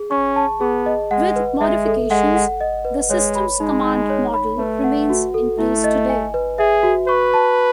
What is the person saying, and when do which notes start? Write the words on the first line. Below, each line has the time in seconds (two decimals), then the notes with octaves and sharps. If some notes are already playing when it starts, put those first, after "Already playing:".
With modifications, the systems-command model remains in place today.
Already playing: G#4
0.11 C#4 C#6
0.36 A5
0.61 B3 G#4
0.86 D#5
1.11 G#3 F#5
1.36 B4
1.60 G#3 E5
1.85 A4
2.10 G#3 F#5
2.36 F#5
2.61 D#5
2.85 B4
3.10 G#3 C#5
3.35 B5
3.60 G#3 D#4
3.84 D#4
4.10 C#5
4.34 B5
4.59 A3 B4
4.84 F#5
5.10 F#4
5.34 A4
5.58 A3 E4
5.84 D#5
6.09 G#5
6.34 B4
6.58 G#4 E5
6.83 F#4
7.08 B4 C#6
7.34 A5